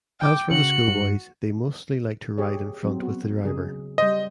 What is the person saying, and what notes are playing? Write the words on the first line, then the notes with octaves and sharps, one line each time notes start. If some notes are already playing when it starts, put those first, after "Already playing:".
As for the schoolboys they mostly like to ride in front with the driver.
G5 D6
C#3 F#4 C#7 F#7
G2
G4 G#4 C#5
F#3 C4
B3 F#4
C#3 F#3 G#4
G3 C5 D#5